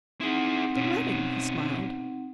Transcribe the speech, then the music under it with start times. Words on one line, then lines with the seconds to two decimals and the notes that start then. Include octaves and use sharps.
"The wedding," he smiled.
0.21 C4 D#4 E4 G#4 F#5
0.76 B2 C#4